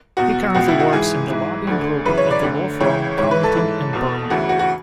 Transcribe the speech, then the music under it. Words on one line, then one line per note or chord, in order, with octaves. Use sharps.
He currently works in the lobbying group at the law firm Covington and Burling.
E2 B2 F#4
C#2 B2 F#4
E4
F#4
G#2 E3 G#4
G#2 E3
D2 D3
F#2 C#3 E3 B4
C#5
D5
D2 D3
C#2 C#3 E3 C#5
G#2 E3 C#5
B4
A4
G#2 E3
E2 B2
D2 C#3 E3 F#4
F#4
F#4